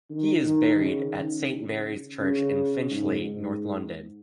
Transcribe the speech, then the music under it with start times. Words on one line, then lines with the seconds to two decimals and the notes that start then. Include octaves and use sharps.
He is buried at Saint Mary's church in Finchley, north London.
0.10 D#3
0.44 D#3
0.80 C#3
1.15 D#3
1.50 C#3
2.21 C#3
2.90 G#2
3.27 G#2